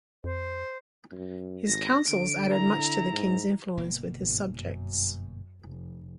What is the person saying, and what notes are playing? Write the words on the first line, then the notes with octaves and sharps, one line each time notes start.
His counsels added much to the king's influence with his subjects.
F2 C5
F#2
G#1 A#6
D3 D7
E4 A#5
G#2
G1 B2 A#3
G#1
F#2
F1